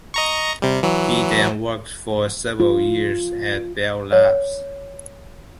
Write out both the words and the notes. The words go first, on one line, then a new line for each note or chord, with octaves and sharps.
He then worked for several years at Bell Labs.
D#5 A#5 C#6
C3 G3
E3 F#3
F4
C#5